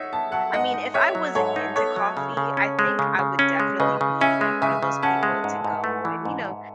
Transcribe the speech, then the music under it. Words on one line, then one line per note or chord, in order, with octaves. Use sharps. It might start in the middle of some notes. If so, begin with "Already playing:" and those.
I mean, if I wasn't into coffee, I think I would definitely be like one of those people to go and, you know,
Already playing: D#4 C#5 E5 F#5
B3 A5
F#3 F#5 A5
G#2 D#5 F#5
D#4
B3 C#5 E5
F#3
G#2 A4 C#5
D#4
B3 A4 C#5
F#3
C#3
C#3
C#4
G#3
C#3
C#3
C#4
G#3
C#3 B4 D#5
C#3
C#4 E5 G#5
G#3
C#3 E5 G#5
C#3
C#4 F#5 A5
G#3
G#2
G#2
A3
E3
G#2
G#2